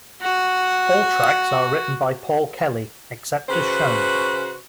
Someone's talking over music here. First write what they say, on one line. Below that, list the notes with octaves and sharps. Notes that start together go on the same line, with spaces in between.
All tracks are written by Paul Kelly except as shown.
F#4 F#5
C#3 F#4 B4 C5